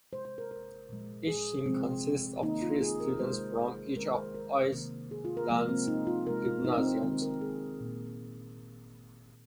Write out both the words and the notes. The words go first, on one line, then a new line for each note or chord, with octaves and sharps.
Each team consists of three students from each of Iceland's gymnasiums.
C3 G#3 C5
C5
A#4
A#4
A#2 F3 G#3
G#4
C3 F3 G#3 C4
D#3 A#3 D#4
F4
G#4
A#4
C3 G#3 C5
D#3 G#3 A#4
C5
A#4
C3 D#3 A#3
G#4
F4
A#4
C3 F3 G#3 A#3
C4
D#4
F4
C3 G#3 A#4
F4
D#4
C4
D#3 G#3 C4
A#4
G#4
A#2 A#3